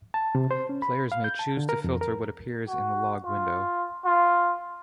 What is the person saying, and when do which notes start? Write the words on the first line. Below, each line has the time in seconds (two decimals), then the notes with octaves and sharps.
Players may choose to filter what appears in the log window.
0.14 A5
0.35 C3
0.51 C5
0.69 C#4
0.82 B5
1.12 F5
1.24 G6
1.39 A5
1.57 D3
1.69 A#4
1.84 F2
2.01 A#4
2.68 F#4
3.23 F4
4.05 F4